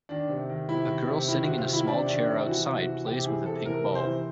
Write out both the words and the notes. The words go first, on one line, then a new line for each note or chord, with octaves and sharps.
A girl sitting in a small chair outside plays with a pink ball.
D#3 D4
C3
D#3
C3 E4
D#3
C3
D#3 E4
F#4
C3
F4
D#3
E4
C3 D4
D#3 D4
C3
E3 F#4
C3
F#4
E3
C3 G4
E3 G#4
C3 A4
E3 A#4
C3
C5
E3